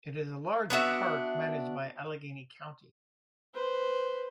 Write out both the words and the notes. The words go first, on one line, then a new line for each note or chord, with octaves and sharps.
It is a large park managed by Allegheny County.
B3 D4 F#4 E5
B4 C5